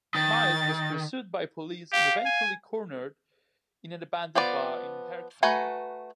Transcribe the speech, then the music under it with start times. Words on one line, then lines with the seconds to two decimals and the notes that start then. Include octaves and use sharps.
Myers was pursued by police and eventually cornered in an abandoned bar in Herkimer.
0.15 D#3 A6
1.92 G4 F5
2.25 G#5
4.35 F3 B3 B4 D5
5.43 A3 F#4 B4 G#5 A#5